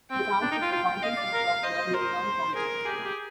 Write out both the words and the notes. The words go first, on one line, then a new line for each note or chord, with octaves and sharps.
The town is the county seat of Vermillion County.
C4 G5
D4
D#4
F4
F4
D#5 F5
D5
A#4
C5 D#5
C5
A#4 C5
G#4 A#4
G4 G#4
G4